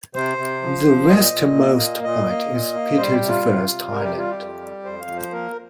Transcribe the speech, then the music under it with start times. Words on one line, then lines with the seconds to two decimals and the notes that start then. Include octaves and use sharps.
The westernmost point is Peter the First Island.
0.15 C3 C5
0.38 C3
0.62 F3
0.85 F3
1.09 A#2 D#5
1.32 A#2
1.56 A#3
1.80 A#2
2.03 A#2 D#5
2.27 A#3
2.50 A#2
2.74 A#3
2.97 G3 C5
3.12 G4
3.20 C3
3.28 F4
3.44 C3
3.67 C3
3.91 G3 A#4
4.04 G4
4.15 G3 F4
4.31 G4
4.39 F2
4.62 G3
4.85 F2 C5
5.01 F5
5.08 F3
5.16 C5
5.33 A#3 A#4